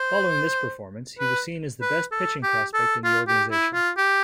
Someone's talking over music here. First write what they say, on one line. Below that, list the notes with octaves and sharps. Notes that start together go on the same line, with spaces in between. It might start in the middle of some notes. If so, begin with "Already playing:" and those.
Following this performance, he was seen as the best pitching prospect in the organization.
Already playing: C5
B4
B4
A4
G4
A4
F4
G4
E4
F4
G4